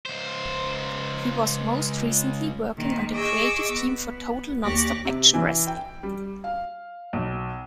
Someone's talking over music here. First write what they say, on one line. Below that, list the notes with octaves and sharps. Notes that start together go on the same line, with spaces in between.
He was most recently working on the creative team for Total Nonstop Action Wrestling.
C#2 C5
A#2 D#3
G#4 D#5 C#6 D6 E6
B3
D#2 G4 D5 C#6 F#6 A#6
C3
E3
G5
G3
F5
B1